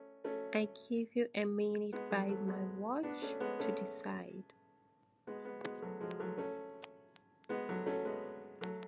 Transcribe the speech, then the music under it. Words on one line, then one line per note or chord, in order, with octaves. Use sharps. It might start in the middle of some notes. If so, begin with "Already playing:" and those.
I give you a minute by my watch to decide.
Already playing: A3 C#4
A3 C#4
G#3 B3
F#3 A3
F#3 A3
G#3 B3
B3 D4
A3 C#4
G#3 B3
A3 C#4
G#3 B3
G#3 B3
G#3 B3
F#3 A3
F3 G#3
F#3 A3
A3 C#4
G#3 B3
F#3 A3
A3 C#4
G#3 B3
F#3 A3